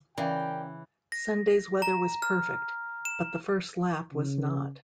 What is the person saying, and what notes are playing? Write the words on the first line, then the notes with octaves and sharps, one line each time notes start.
Sunday's weather was perfect, but the first lap was not.
C#3 E3 A#4 D5 G5
A#6
A#5
F6
E7
C#3